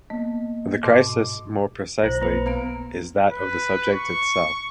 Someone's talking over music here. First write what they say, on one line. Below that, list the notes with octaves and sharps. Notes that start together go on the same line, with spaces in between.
The crisis, more precisely, is that of the subject itself.
A#3 B3 D#5
G#2 B2 D#5 D6
B1 E4 C5
A#3 E4 B4
B3 A#5 D7
B4
C#6